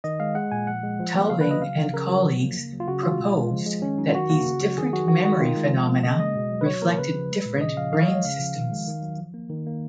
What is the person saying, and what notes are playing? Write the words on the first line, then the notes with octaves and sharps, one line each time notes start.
Tulving and colleagues proposed that these different memory phenomena reflected different brain systems.
D#3 D#5
G#3 F5
G#3 F#5
A#2 G#5
F3 F#5
G#3
F3
A#3
C#3 F5
B4
F#3
D#5
C#3 F5
F3
C#3 A#4
F3 F#4
F#3
A#3
C#3
F#3
F4
C#3 F#4
G#3 F4
B2
G#3
F3
G#3
D#3 C#4
F#3 D#4
F4
D#3 F#4
A#3 F#4
C#3
F#3
D#3 G#4
F#3 F#4
D#3 F#4
G#3 F#4
D#3 F4
G#3
F3
A#3
C#3 D#5
G#3 D#5
B2
F#3
B4
F#3 C#5
A#3 A#4
C#3 B4
F3
G#3
A#2
C#3 D#5
F3 F5
F3 F5
C#5
G#3 D#5
C#3 F5
F3
D#3
G#3
D#3
F#3
F3
A#3
D#3
A#3